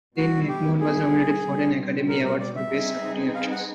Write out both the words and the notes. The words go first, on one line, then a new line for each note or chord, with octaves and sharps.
Aline MacMahon was nominated for an Academy Award for Best Supporting Actress.
B2 G3 B3 E4 F#4
G4
G#4
B2 G3 C4
A#4
A#4
D5
E5
G3 C4 D#4 G#4 B4
F5
F#5